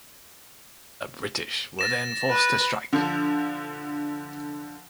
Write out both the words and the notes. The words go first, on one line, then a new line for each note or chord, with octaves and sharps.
The British were then forced to strike.
A6 A#6 E7
B4
D3 F3